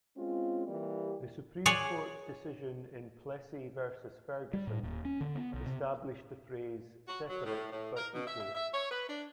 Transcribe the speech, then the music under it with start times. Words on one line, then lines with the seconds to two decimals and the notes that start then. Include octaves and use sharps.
The Supreme Court decision in "Plessy versus Ferguson" established the phrase "separate but equal".
0.17 G#3 C4 C#4 F4
0.67 E3 G3 A#3 G4
1.66 G#4 C#5 D5 F#5 G#5
4.53 G3
4.67 A2
4.83 D#1
5.05 C#4
5.21 D3
5.35 B3
5.54 B1
5.66 C3
7.08 F#4
7.28 F#3
7.46 A2
7.71 A2
7.95 A#4
8.14 B2
8.27 E5
8.41 E5
8.55 E5
8.74 C#5
8.91 B4
9.08 D4